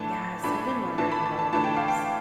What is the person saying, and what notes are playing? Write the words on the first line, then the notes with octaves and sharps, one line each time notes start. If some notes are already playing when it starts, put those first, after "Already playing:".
Yes, I've been wondering about these.
Already playing: A2 E3 A3 D4 A5
A2 E3 A3 D4 B5
A2 E3 A3 D4 A5
B5
A5
A5
A2 E3 A3 D4 A5
G5
F5
G5